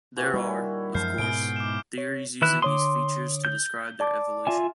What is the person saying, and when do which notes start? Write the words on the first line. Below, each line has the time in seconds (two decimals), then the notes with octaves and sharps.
There are, of course, theories using these features to describe their evolution.
0.16 A#2 E3 F#4
0.34 D#3 G3 E4 C#5
0.94 F#2 F3 G#3 F6 G6 C7
1.18 G#2 B2 G#4 D7 G7
1.56 D6 E7
1.98 C#5
2.42 D#3 E3 E4 F#6
2.62 D3 C#5 C6 D6 D#6
3.45 G6
4.00 D5 A5 D6
4.47 F4 E5 G#5